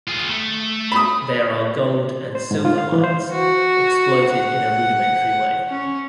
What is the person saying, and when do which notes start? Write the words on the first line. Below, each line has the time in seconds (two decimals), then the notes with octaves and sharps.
There are gold and silver mines, exploited in a rudimentary way.
0.08 F4 G#4
0.28 A3
0.92 B5 D#6
2.35 C5
2.51 G#2
2.65 F4
2.78 F5
2.92 E3
3.04 C5
3.32 F#4
4.27 F#5
5.69 C#4